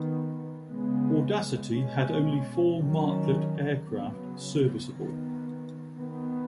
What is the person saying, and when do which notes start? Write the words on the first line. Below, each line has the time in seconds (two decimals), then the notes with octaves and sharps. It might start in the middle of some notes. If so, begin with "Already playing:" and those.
"Audacity" had only four Martlet aircraft serviceable.
Already playing: D#3 B3
0.68 C#3 G#3 B3
1.73 B2 G#3 C#4
2.79 D#3 F#3 C#4
3.85 C#3 F#3 B3
4.90 D#3 B3
5.96 D#3 B3